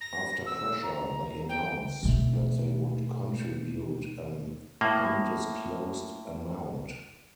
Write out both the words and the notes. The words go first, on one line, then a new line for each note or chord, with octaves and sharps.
After pressure, they announced that they would contribute an undisclosed amount.
A#6
E6
A#5
G5
B2 A3
A2 A#3